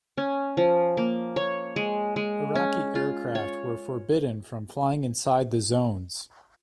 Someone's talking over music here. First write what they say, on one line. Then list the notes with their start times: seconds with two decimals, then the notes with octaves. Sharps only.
Iraqi aircraft were forbidden from flying inside the zones.
0.17 C#4
0.57 F3
0.97 A#3
1.36 C#5
1.76 G#3
2.16 G#3
2.55 C#4
2.95 F4
3.35 C#5